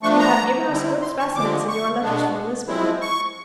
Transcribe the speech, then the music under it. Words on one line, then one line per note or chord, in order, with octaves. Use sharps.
You have given us good specimens in your letters from Lisbon.
F3 A3 D4 C#6
A#5
D3 G3 C4 E4
C6
C#6
D3 F3 G#3 D6
C#6
B2 G#3 B3 D4
F3 G#3 C4 E4
C#6